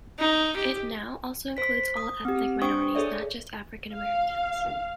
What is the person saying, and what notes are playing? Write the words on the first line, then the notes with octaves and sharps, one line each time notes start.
It now also includes all ethnic minorities, not just African-Americans.
D#4
G4
C5 B6
D#6
C4 G4
D4 C5 G5 C#6 D#6
G#4 A4 C#5 D5 E5
F5